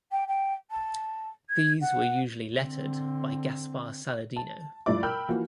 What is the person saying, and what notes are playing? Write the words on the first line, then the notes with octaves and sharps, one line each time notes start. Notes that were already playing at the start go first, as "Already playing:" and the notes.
These were usually lettered by Gaspar Saladino.
G5
G5
A5
G#6
F#5
D3 C4
A5
G2 F3 A3 E4 D5 D6
A#4 G5 B5 E6 F6 G6
E3 F3 A#3 F#4